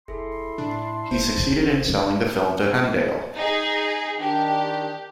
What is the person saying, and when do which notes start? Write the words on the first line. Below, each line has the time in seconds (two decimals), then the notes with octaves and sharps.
He succeeded in selling the film to Hemdale.
0.08 F1 E4 G#4 A4 C6
0.58 A2 D4 A5
1.11 F#1 C5
3.36 D#4 G#4
4.19 D#3 D4 G4